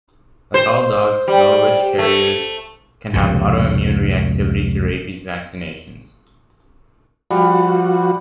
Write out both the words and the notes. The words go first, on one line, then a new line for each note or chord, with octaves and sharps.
Like all dogs, Norwich Terriers can have autoimmune reactivity to rabies vaccinations.
C5
G3
A3
F1 C#2 G#2 B2
F3 G3 F#4